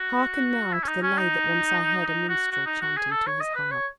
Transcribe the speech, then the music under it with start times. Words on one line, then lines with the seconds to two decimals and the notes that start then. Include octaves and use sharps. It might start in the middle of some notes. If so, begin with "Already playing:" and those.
Hearken now to the Lay that once I heard a minstrel chanting to his harp.
Already playing: F#4
0.73 E4
0.83 C#4
0.87 D#4
1.02 C#4
1.17 D#4
2.07 D#4
2.29 F#4
2.51 F#4
2.66 D#4
2.81 F#4
2.97 G#4
3.11 A4
3.27 C#5
3.41 D#5
3.55 B4
3.71 C#5